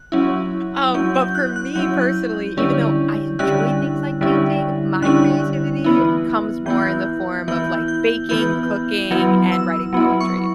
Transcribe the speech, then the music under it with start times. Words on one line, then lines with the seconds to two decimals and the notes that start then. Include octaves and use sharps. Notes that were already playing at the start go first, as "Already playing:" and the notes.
Um, but for me personally, even though I enjoy things like painting, my creativity comes more in the form of like baking, cooking, and writing poetry.
Already playing: F#6
0.12 F#3 C#4 E4
0.94 F#3 C#4 E4 G6
1.15 G6
1.35 F#6
1.56 F#6
1.75 F#3 C#4 E4 G6
2.57 D3 G3 C#4 E4
3.39 D3 G3 C#4 E4 F#6
4.21 D3 G3 C#4 E4
5.02 D3 G3 C#4 E4 F#6
5.84 E3 B3 E4
6.66 E3 B3 E4 G6
7.48 E3 B3 E4 G6
7.88 G6
8.29 E3 B3 E4 G6
9.11 F#3 B3 E4
9.52 E6
9.93 F#3 B3 E4
10.21 C#6